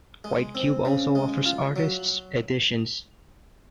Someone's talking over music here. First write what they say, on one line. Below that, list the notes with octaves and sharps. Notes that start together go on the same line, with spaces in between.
White Cube also offers artists' editions.
G#3
C4
C#3
G#3
F4
F#3